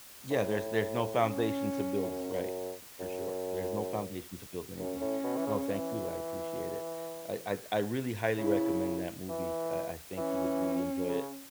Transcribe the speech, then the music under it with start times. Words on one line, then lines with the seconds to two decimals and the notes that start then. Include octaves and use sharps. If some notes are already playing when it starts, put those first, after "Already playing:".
Yeah, there's there's no foundation to build, right. For sure. There's no foundation to build anything. No, thank you, I appreciate it. I I I really highly recommend that movie. I I think you would really enjoy it,
0.30 A2
1.20 C#4
2.02 A2
2.09 F#2
3.00 F#2
4.79 F#2 C#4
5.01 A2
5.24 B2
5.37 E3
5.46 C#3
5.69 E3
8.38 C#3 E4
9.29 E3
10.17 E3 C#4
11.08 C#3